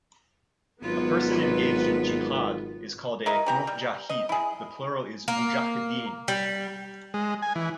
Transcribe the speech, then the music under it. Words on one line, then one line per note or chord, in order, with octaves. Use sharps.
A person engaged in jihad is called a "mujahid"; the plural is mujahideen.
G#1 F#3 B3 F4 B4
E4 A#4 D#5
E3 G4 A#5
G3
D#5
E4 G#4
A#3
G3
G#3
G#5
E3